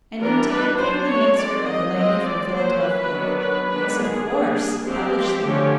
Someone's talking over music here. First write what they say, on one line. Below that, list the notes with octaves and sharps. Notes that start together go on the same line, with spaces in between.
And in time came the answer of the lady from Philadelphia:--"Yes, of course; publish them."
E3 G3 B3 D4 A#4
B4
F#3 B3 D4 C5
C#5
D#3 G#3 C4 D5
D#5
F3 G#3 C4 D#5
D5
F#3 A#3 C#4 C5
B4
D#3 F#3 B3 D4
B4
D#3 G#3 B3 D4 B4
G#4
G3 A#3 D4
F3 G#3 C4 G4
D3 F3 A3 C#4